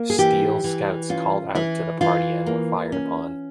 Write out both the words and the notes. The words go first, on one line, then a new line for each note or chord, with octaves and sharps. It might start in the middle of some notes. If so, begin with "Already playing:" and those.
Steele's scouts called out to the party and were fired upon.
Already playing: A#3
G#4
E3 G4
E3
C#4 F4
E3 E4
E3 F4
A#3
C#4